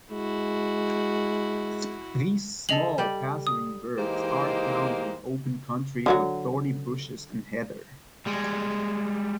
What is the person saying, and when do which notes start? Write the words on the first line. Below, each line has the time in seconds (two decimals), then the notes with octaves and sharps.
These small passerine birds are found in open country with thorny bushes and heather.
0.12 G#3 E4 F#4
2.69 G#4 A4 D#5 F7 F#7
2.98 G3 G4 D5
3.47 D#6
3.98 E3 G#3 A#3 D#4 G4 C5
6.06 D3 F#3 F#4
8.26 G3 G#3